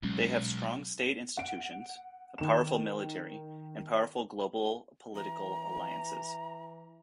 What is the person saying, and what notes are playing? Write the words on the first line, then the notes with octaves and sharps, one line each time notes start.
They have strong state institutions, a powerful military and powerful global political alliances.
B1 F#3 G#3 C#4
F#5 D7
D#3 E7
E3 A#5